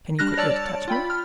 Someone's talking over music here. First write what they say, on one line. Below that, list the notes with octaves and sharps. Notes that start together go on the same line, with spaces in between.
"Can you quit your detachment?"
G3 D4 F6 F#6 A#6
C#5 D5 A5 E6 A6
F4 G5 B5
F6